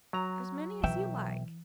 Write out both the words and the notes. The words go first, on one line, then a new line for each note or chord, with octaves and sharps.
"As many as you like."
F#3 A#5
B1 E3 E5 G5